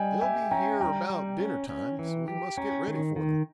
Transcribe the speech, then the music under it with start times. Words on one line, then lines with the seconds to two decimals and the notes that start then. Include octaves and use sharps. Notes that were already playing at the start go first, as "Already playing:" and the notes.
They'll be here about dinner-time, so we must get ready for them.'
Already playing: G3 D#5 G5 G#5
0.21 G4 E5 G#5
0.51 C#4 G5 A#5
0.80 G3 G5 A#5
1.10 G3
1.40 C#4
1.69 C#4
1.99 E3
2.28 G4
2.57 C#4 G5 A#5
2.88 D#3
3.16 D#3